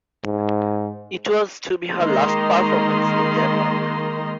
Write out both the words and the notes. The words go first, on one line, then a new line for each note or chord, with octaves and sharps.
It was to be her last performance in Denmark.
G#2
D#3 G#3 A#3 D#5 A#5 C6